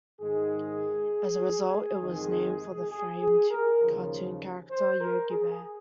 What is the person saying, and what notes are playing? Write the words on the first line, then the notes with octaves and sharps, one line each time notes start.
As a result, it was named for the famed cartoon character Yogi Bear.
G#2 D#3 G#3 G#4
F2 C3 D#3 G#3
G#4
G#4
A#4
D#2 C#3 F3
C5
A#4
G#4